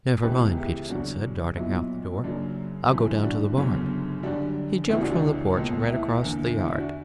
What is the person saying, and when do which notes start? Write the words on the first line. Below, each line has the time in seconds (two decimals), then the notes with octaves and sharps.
"Never mind," Peterson said, darting out the door, "I'll go down to the barn." He jumped from the porch and ran across the yard.
0.23 C#2 C#3 E3 B3 G4 B4
0.57 E4 G4
0.90 E2 C#3 F#3 D4 F#4
1.56 B1 A#2 F#3 B3 E4
2.24 F#2 C#3 F#3 A#3 D4
2.90 G1 F#2 E3
3.23 D4 F#4
3.57 G1 F#2 C#3 F#3 B3
4.23 F#2 D3 G3 D4 F#4
4.89 C#2 C#3 E3 E4
5.01 D4 F#4
5.11 D4 F#4
5.56 C#2 B2 A#3
5.90 E4
6.23 E2 D3 A#3
6.56 E4
6.68 E4
6.78 D4 F#4